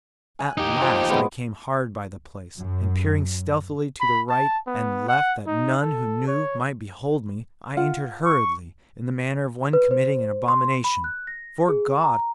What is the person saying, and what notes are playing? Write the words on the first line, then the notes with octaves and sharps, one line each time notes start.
At last I came hard by the place, and peering stealthily to the right and left that none who knew might behold me, I entered hurriedly, in the manner of one committing an abomination. 'Fore God!
F#5 G#5
D#4 G4
F3 D6
G#3 B3
F#2
B5
A5
B3
F#5
D#4
A4
C#5
F4 F#5
C#6
B4
C5
C6
B5
F#6
A#6
G#4
A#5